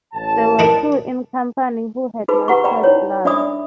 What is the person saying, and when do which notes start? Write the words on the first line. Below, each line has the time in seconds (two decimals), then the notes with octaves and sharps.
There were two in company who had not shed blood.
0.14 A1 A5
0.59 D4 D#4 A#4
2.28 D#4 G#4 B4 B5
2.48 G4 B4 F#5 A#5 C#6
2.64 D5 G5 A#5 B5
2.84 D#4 E4 C#5
3.25 D4 D5 E5 B5 D#6